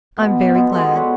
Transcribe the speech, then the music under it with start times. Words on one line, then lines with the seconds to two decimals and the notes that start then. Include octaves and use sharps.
"I'm very glad."
0.17 B2 B3
0.54 B2 B3 F4
0.72 G#3 B3 G4 A4
0.95 C#5 D5 F#5 B5